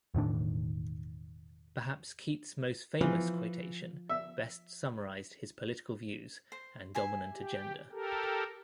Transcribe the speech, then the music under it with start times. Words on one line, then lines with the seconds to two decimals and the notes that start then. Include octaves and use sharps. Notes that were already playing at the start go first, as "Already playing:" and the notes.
Perhaps Keitt's most famous quotation best summarized his political views and dominant agenda.
0.15 E1 A2 D#3 D4
3.01 E3 F3
4.09 E5
6.52 C5
6.95 E5 G#5 C6
7.33 G4
7.92 G4 A4 A#4